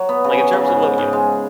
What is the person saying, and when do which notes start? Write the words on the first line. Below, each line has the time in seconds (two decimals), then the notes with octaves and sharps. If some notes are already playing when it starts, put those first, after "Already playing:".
like, in terms of what, you know,
Already playing: F#3
0.09 B3
0.24 C#3
0.38 F#3
0.53 C#3
0.68 G#2
0.82 G#2
0.98 G#2
1.13 G#3